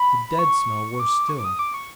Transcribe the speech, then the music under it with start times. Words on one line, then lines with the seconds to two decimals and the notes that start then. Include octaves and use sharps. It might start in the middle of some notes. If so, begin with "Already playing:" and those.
The dead smell worse still!
Already playing: B5
0.39 C#6
1.00 D6
1.29 C#6
1.39 D6
1.45 D#6
1.59 D6
1.74 C#6